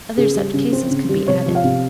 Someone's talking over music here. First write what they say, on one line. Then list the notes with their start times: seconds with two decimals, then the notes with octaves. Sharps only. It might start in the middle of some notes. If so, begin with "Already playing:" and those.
Other such cases could be added.
0.17 C#3 G#4
0.36 G3
0.54 C#3
0.72 C4 C5
0.90 C#3
1.09 G3
1.28 C3 C#5
1.46 F3
1.55 F5
1.64 C3